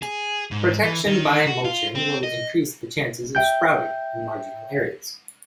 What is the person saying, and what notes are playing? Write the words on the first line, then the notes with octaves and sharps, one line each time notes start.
Protection by mulching will increase the chances of sprouting in marginal areas.
G#4
G#2
E3
D#3
F#4
F4
C4
D#5
E5 G5 G6